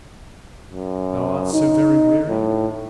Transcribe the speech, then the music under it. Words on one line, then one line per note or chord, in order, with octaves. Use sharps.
Thou art so very weary?
F#2
D#4
A2